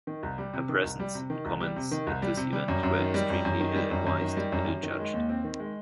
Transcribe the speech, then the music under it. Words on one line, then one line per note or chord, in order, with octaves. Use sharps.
Her presence and comments at this event were extremely ill-advised and ill-judged.
D#3
C2
G3
C3
D#3
C2
G3
C3
D#3
C2
G3
C3
D#3
C2
G3
C3
G3
F#2
F#2
D#3
G3
F#2
F#2
D#3
G3
F#2
F#2
D#3
G3
F#2
F#2
D#3
G#3
D#2
C4
D#3
G#3